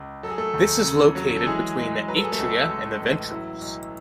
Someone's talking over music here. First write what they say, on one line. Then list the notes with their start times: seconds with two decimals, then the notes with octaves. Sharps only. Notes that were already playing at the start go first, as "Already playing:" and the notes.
This is located between the atria and the ventricles.
Already playing: C#2
0.23 F#3 A4
0.30 G#4
0.38 A3 A4
0.54 D#2
0.84 C#3
1.15 F#3
1.37 A4
1.46 E3 G#3 G#4
1.78 G#3
2.08 F#3 B4
2.16 A4
2.24 G#4
2.32 A3 A4
2.39 C#2
2.69 G#3
3.00 A1
3.31 F#3 E4
3.61 B1